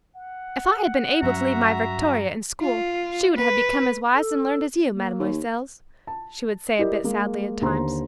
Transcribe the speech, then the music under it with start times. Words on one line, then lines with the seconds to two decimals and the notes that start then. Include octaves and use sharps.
"If I had been able to leave my Victoria in school she would have become as wise and learned as you, Mesdemoiselles," she would say a bit sadly at times.
0.16 F#5
1.22 G2 F#3 C#4 F#4 E5 A#5
2.61 F4
3.36 B4
4.14 A4
4.92 A#3
5.19 D#2
6.07 A5
6.79 E4 G4 A#4 D5 D#5
7.04 G#3 A#3
7.62 D#2 D3 C5 A#5 C6